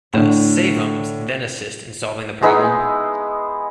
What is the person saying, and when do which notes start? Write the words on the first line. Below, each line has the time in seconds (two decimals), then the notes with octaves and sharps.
The Save-Ums then assist in solving the problem.
0.14 A2 D3
2.43 G#3 B3 D#4 E4